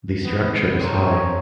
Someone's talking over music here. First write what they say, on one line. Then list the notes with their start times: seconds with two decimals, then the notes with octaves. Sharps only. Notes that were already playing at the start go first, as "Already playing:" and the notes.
The structure is high.
0.25 D2 E3 B3 C4
0.80 C4 D4 G4 A#4 C#5